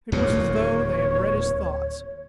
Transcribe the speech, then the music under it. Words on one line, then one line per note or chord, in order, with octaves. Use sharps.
It was as though they had read his thoughts.
D1 D#2 A#2 C#5